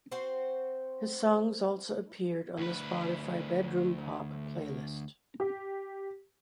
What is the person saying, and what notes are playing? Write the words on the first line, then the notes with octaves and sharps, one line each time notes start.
His songs also appeared on the Spotify "Bedroom Pop" playlist.
C4 F#4 C5
D2 B4
G4